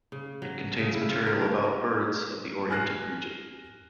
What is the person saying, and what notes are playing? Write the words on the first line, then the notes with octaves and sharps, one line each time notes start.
It contains material about birds of the Oriental region.
C#3
F#3
C#3
E4
F4
A#4
A#4
D#4
G#5 F6 F#6 A#6 C7